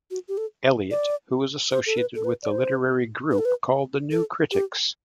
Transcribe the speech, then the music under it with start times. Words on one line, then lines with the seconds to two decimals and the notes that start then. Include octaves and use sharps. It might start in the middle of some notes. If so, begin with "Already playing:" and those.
Eliot, who is associated with the literary group called the New Critics.
0.11 F#4
0.28 G4
0.37 A4
0.91 D5
1.71 C5
1.86 A4
1.97 B4
2.15 A4
2.24 B4
2.43 D5
2.51 C5
3.31 B4
3.38 A4
3.45 B4
4.11 A4
4.52 G4